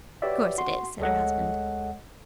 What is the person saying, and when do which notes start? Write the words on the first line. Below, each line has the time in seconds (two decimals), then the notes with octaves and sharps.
"Course it is!" said her husband.
0.22 F#4 G4 B4 C#5 D5 E5
0.58 F#4 C6
1.00 D2 G#3 A4 C#5 D#5 F#5